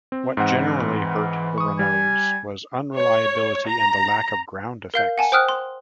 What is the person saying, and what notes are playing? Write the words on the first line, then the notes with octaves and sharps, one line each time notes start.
What generally hurt the Renaults was unreliability, and the lack of ground effects.
C4
G#2 E3 C4 F#5
C#6 D#6
G3 G#5
C#5
A#5
A#4 F5 G6
F#5 G#5 A5
C5 G5 D#6 F6 F#6
C6